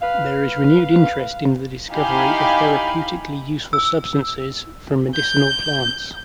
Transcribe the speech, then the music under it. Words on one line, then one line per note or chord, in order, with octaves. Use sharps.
There is renewed interest in the discovery of therapeutically useful substances from medicinal plants.
B4 F5
D#4 E4 G4 F5 G#5 B5
E6
G6